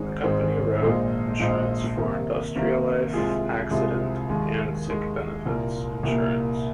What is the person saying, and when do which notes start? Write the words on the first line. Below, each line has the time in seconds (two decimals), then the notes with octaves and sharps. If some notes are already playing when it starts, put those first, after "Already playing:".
The company wrote insurance for industrial life, accident and sick benefits insurance.
Already playing: G#1 G#2 G#3 C4 D#4
0.24 G#1 G#2 G#3 C4 D#4
0.81 A#1 A#2 G#3 D#4 C5
1.40 A#1 A#2 G#3 D#4 C5
1.97 C3 D#3 A#3
2.55 C3 D#3 A#3
3.14 C2 C3 G#3 F4 G#4
3.71 C2 C3 G#3 F4 G#4
4.29 D#2 D#3 G#3
4.87 D#2 D#3 G#3
5.46 C2 A#2 A#3
6.03 C2 A#2 A#3